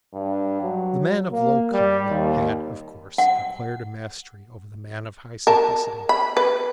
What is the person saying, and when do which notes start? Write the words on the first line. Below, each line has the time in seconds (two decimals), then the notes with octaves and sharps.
The man of low cunning had, of course, acquired a mastery over the man of high simplicity.
0.14 G2
0.62 F#3
1.31 A#3
1.73 G3
2.10 D#2
3.18 F#5
5.47 A#4 A5
6.09 B5
6.37 B4